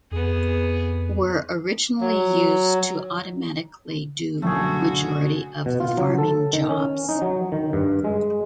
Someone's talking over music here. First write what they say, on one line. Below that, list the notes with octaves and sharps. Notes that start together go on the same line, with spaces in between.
Were originally used to automatically do majority of the farming jobs.
F2 B3 G#4
F#3
F#1 B1 D3 A3 F#4 G#4
B2
F4
F#3
A4
D#3
C#4
D#4
F#3
D#3
G2
G#3